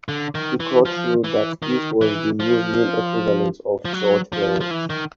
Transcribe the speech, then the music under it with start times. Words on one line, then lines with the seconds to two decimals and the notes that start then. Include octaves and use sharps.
The court ruled that it was the Muslim equivalent of church bells.
0.08 D3
0.35 D#3
0.60 E3
0.85 F3
1.24 E3
1.62 D#3
2.01 E3
2.40 F3
3.85 F3
3.93 F#3
4.33 F3
4.61 F3
4.71 E3
4.90 D#3